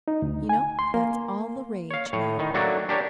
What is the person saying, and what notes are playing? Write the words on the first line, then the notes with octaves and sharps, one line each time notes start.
You know that's all the rage now.
D#4
D2
G#5
C6
A#3
C#5 F5
A2 C#5
D#3 D#4
F#3 A3 A#3 D4 F#4
D4 G4 A#4 C#5